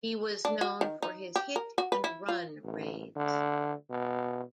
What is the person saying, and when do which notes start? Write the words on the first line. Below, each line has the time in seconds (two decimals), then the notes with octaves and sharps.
He was known for his "hit and run" raids.
0.45 D4
0.61 F#4
0.81 D#3
1.02 D#4
1.36 G4
1.56 A#4
1.78 F#4
1.92 B4
2.04 E4
2.28 F4
2.64 A1
3.16 D3
3.90 B2